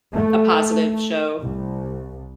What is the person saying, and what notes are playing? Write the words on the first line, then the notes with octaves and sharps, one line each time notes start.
a positive show.
A3
C2